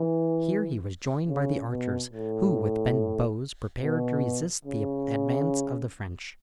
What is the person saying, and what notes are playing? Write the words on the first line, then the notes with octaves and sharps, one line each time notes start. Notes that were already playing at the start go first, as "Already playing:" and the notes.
Here he was joined by the archers, who with bent bows prepared to resist the advance of the French.
Already playing: E3
C#3
B2
A2
B2
C#3